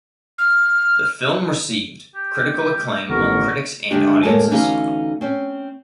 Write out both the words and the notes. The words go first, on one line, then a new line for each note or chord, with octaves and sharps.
The film received critical acclaim among critics and audiences.
F6
G4
A1 D#3 B3 A4 A#4 F#5 C#6
D3 D#3 G#3 D4 F4 G4
D#2 A2 G#3 A4 A#4 C#5
D2 E3 C#4 D#4 A4 F5
C4 C#4